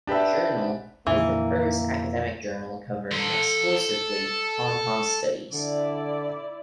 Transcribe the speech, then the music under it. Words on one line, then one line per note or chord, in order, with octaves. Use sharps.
The journal is the first academic journal covering exclusively Hong Kong studies.
D4 G4 B4 E5
F2 A#2 D3 E3 A#3
A4 C6
D3 E4 D5